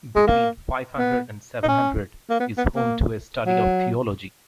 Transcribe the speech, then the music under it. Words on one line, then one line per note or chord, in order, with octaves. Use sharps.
Between five hundred and seven hundred is home to a study of Theology.
G#3
A#3
B3
D#4
C#4
A#3
B3
B3
A#3
F#3